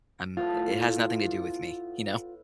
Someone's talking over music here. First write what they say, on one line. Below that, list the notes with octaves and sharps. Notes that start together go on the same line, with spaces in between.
I'm i it has nothing to do with me, you know?
A2 B3 F4 A5